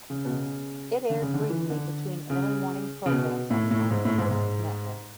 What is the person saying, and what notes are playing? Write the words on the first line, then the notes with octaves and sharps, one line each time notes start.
It aired briefly between early morning programs on the Armed Forces Network.
C#3
B2
C#3
D3
C#3
D3
E3
D3
C#3
C#3
B2
A2
A2
G#2
A2
G#2
G#2